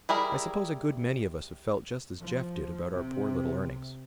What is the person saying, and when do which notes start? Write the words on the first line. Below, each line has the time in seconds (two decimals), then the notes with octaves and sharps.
I suppose a good many of us have felt just as Jeff did about our poor little earnings.
0.09 G3 E4 G#4 A#4
2.21 F3
2.93 C3